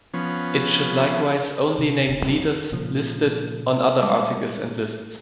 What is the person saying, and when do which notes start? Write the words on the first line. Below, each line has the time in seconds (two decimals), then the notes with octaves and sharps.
It should likewise only name leaders listed on other articles and lists.
0.14 F3 B3 C#4
1.79 C3
2.07 E1 C#3
2.23 A1 F2 G3 D4
2.72 A#2 C#3 F3
4.01 G3 G#3 A5 D6